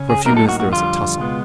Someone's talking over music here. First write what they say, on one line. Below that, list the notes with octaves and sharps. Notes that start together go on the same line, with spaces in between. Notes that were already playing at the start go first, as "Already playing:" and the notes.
For a few minutes there was a tussle.
Already playing: C#3 C#4
G#4
A2 F#3 A#3 D#4 A#4
A4
F#4
F#4
F2 D3 G3 F4
C#2 B2 G#3 B3